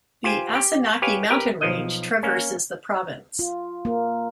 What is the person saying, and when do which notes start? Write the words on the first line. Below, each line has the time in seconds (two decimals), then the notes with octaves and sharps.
The Asanaki mountain range traverses the province.
0.24 F4 G4 C5 G#5
0.55 G4
1.02 G4 B4 C#5 F5 G#5
1.30 G4 A#4 B4
1.61 B1 F3 D#5
2.23 A#3 C#4
3.39 F4
3.85 A#3